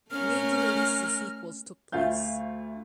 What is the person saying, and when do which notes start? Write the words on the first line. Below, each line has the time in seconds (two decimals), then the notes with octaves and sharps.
Major releases of sequels took place.
0.11 A3 C#4 A#4 F6
1.92 D2 A3 F4 F5 G6